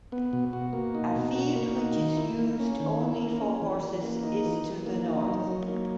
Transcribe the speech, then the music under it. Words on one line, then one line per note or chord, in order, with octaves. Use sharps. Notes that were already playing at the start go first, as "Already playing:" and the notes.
A field which is used only for horses is to the north.
B3
B2
F#4
A#3
D#4
B2
F#4
A#3
D#4
D#3
E4
A#3
C#4
D#3
E4
A#3
C#4
E3
E3
A#3
D#4
E3
E3
A#3
D#4
F#3
F#3
A#3